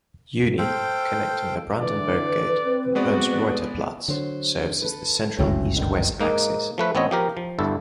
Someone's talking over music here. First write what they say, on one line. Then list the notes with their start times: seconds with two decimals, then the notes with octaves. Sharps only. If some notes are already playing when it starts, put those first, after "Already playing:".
Juni, connecting the Brandenburg Gate and Ernst-Reuter-Platz, serves as the central east-west axis.
0.58 A4 C5 F5 G5
1.80 D3 E3 B4 D5
2.64 C4
2.95 G#3 B3 F#4 D5
4.08 D3 F#3 C5
4.82 A4 B4
5.39 G1 C#2 F#2 A2 C#3 F#3
5.76 B2 D3 D#3
6.20 G#2 A#3 D#4
6.78 F3 A3 B4
6.95 A1 B3 C4 C#5 D#5
7.11 F3 G4 A#4
7.37 F3
7.59 G1 G2 E4 A4